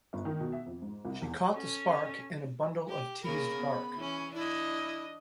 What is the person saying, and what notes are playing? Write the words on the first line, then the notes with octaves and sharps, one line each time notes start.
She caught the spark in a bundle of teased bark.
G1
D#3
B2
E5
F2
G#2
C2
E2
C#4 A4
G4
C#3 A#3 A#4 B5
B3
E3 C#4
D4 E4 D#5